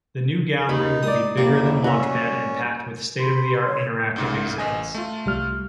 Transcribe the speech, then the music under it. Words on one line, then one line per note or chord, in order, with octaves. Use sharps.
The new gallery will be bigger than Launchpad and packed with state-of-the-art interactive exhibits.
D#2 D#4 B5
D5 D#6
F2 A2 G3 A#3
C#4 F#4 E5
B5 C6
C#5
C2 G#2 C#3
A1 D#5 G#5
A3 F4
C2 G3 F6